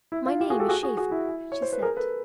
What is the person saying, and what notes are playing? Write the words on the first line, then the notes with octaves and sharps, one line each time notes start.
"My name is Shaeffer," she said.
E4
F4
F4 G4
F#4 G#4
G4 A4
F#4 G#4
F#4 G#4
F#4 G#4
E4
C#5
C5
B4
G#4 A#4
A4 B4